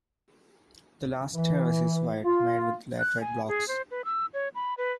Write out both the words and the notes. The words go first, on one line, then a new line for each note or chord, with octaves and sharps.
The last terrace is wide, made with laterite blocks.
E3
F4
F#6
G#5
G#4
C5
B4
E6
C#5
B5
B4